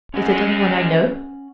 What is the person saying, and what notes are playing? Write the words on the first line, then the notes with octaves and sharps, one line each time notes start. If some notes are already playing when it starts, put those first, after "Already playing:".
"Is it anyone I know?"
F#2 G#3 C#4 F#5